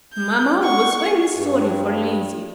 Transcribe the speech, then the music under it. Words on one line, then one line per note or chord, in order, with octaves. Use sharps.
Mamma was very sorry for Lizzie.
G6
F#5 C#6
G2